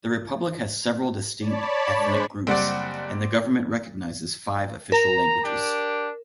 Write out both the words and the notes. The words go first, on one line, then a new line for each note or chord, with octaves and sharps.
The republic has several distinct ethnic groups, and the government recognizes five official languages.
C#5 D5 A5 B5
G#3 D4 C5 B5 C#6
F#1 G3 C4 D5 F#5
A#4 A#5
D4 G4